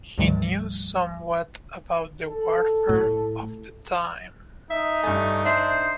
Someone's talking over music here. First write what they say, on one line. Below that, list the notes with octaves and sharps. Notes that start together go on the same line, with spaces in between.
He knew somewhat about the warfare of the time.
D2 G#2 D#3 F3 G3 A3
A4
A2 A3
D#4 E5
G2 A3 G#5
D4 C5 E5